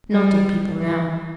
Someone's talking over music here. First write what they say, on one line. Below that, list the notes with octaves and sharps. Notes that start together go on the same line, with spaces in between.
"Not eat people now."
G3
E3